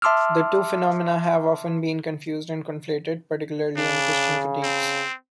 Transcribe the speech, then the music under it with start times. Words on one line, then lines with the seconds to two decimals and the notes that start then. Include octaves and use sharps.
The two phenomena have often being confused and conflated, particularly in Christian critiques.
0.02 E5 A5 C6 D6 E6 F6
3.77 C#3 D4
4.63 C4